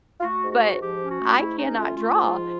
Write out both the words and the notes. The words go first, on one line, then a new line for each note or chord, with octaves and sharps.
But, I cannot draw,
F4
A3 F#4
G#2
F#4
G#2
F3 G4
C#4
F#4
A3
G#2 E4
C#4 D#4
A3 F4
A3 F4
G#2
F3